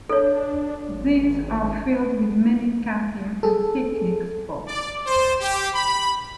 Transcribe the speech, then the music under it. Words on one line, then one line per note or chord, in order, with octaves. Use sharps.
These are filled with many camping and picnic spots.
D4 A4 C#5
G#1
G#4 A4
D5
C5
G4
B5